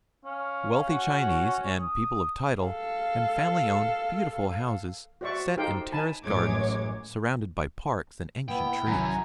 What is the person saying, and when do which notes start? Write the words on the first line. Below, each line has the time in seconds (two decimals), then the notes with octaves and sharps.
Wealthy Chinese and people of title and family owned beautiful houses set in terraced gardens surrounded by parks and ancient trees.
0.25 C#4 F5
0.88 F#4
1.78 D#6
2.61 A4 F5
5.21 F#4 C5 D5 E5 C#6
5.57 D#4 G4 A4 C5 F5 G5
5.92 D#4 G#5 A5 B5
6.23 A1 F#2 G#3 C#5 D6 G#6
8.48 A#2 A#3 B3 E4 G5
8.86 A#1 F#2 C3 D#3 G#5 A#5